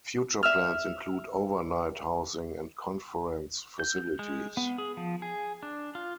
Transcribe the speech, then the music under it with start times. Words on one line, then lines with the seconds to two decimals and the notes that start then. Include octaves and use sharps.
Future plans include overnight housing and conference facilities.
0.43 E5 E6 F6
3.80 G6
4.19 G#3
4.57 B3
4.78 G#4
4.97 F3
5.22 G#4
5.63 D4
5.95 F4